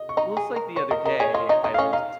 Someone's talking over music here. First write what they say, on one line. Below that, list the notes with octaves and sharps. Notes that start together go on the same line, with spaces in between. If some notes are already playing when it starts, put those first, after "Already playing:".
Well, it's like the other day, I was
Already playing: D#5
C#6
D#4 A#5
G#4
A#4
C#5 C#6
A#4 D#5
A#4 D#5
G#4 C#5
F4 D#5
D#4 D#5
D#4 D#5
F5
C#4 D#5
D#4 F5